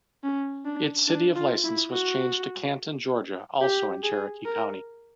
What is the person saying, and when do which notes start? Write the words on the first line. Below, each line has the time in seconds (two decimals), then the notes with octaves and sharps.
It city of license was changed to Canton, Georgia, also in Cherokee County.
0.24 C#4
0.66 D4
1.08 D4
1.35 F4
1.64 E4
1.92 F#4
3.62 G4
4.03 G#4
4.45 A#4